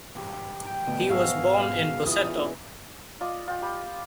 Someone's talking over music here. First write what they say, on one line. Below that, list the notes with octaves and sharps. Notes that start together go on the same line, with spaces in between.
He was born in Busseto.
G4
G5
B2 D3 A3
G#2 F#4 G#4 E5 F5
E3 B3 F4 D#6
F4 D5 D#5
F4 G5
G4 B5